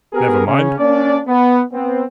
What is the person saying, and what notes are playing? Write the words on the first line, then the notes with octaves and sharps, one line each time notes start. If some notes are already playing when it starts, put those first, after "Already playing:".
Never mind.
B3 G4 G#4 A#4
C#3 C#4
A#3 C#4 D4 D5
B3
B3 C4